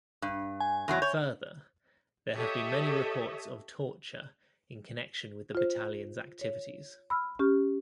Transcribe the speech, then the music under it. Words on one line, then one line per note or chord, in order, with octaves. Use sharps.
Further, there have been many reports of torture in connection with the battalion's activities.
G2
G#5
E2 A2 F#3
C#5 G6
G4 A4 C#5 D#5 E5
F4 C5
C#5
B5 E6 F6
C#4 G4 F6